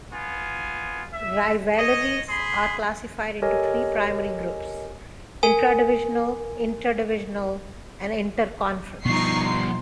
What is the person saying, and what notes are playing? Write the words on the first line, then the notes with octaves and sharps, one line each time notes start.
Rivalries are classified into three primary groups; intradivisional, interdivisional, and interconference.
B3 F4 G#5
E5
C#5 D#5
G#4 B5 C6
G4 A4 A#4 C#5 D#5 G#5
A#4 G#5
B2 F3 G3 B3 D#4 C#6 C7
C6